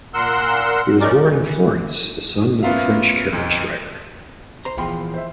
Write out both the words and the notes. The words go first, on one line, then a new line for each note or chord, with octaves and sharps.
He was born in Florence, the son of a French carriage driver.
A#2 A#4 F#5 C6 E6
E2 C#4 D#4 A#4 D5
E3
B3 C#4 F4 A#4 E5 F5
B1 F2
C5 A#5
E2 A#2 F3 G5 B5 C6
C5 E5